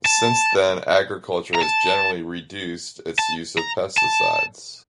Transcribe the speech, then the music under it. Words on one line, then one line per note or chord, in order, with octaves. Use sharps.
Since then, agriculture has generally reduced its use of pesticides.
A5
A#5
A5
A5
A#5
A5